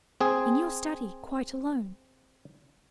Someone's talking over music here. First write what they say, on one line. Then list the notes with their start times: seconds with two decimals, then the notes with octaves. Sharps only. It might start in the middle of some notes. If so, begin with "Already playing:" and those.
'In your study, quite alone.
0.20 C4 G#4